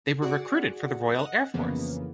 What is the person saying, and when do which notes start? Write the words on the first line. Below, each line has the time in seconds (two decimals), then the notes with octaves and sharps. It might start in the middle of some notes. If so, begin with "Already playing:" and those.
They were recruited for the Royal Air Force.
0.22 F#4 G#4 D5 F#5
1.15 D#5 F#5
1.54 F2 C#3 E3 A#3 B3